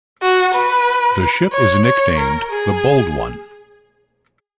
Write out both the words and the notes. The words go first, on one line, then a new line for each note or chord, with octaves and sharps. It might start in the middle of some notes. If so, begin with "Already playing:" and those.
The ship is nicknamed "The Bold One".
F#4
B4
C#5
C#5
A#4
G#4